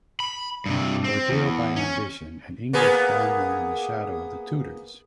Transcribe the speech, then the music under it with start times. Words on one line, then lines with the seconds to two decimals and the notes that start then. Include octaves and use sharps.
"Ordeal by Ambition: An English Family in the Shadow of the Tudors".
0.20 B5
0.66 G2 C3
1.04 C4
1.30 E2
1.76 C#4
2.73 A#3 B3 G#4